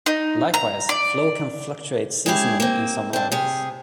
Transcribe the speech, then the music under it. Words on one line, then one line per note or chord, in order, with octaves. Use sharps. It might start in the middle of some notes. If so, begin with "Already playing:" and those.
Likewise, flow can fluctuate seasonally in some areas.
D#4
A#5
D5
G#3 B3 C#4 E4 G4 G#4
A#3 C4
C4 D4
C3 G#4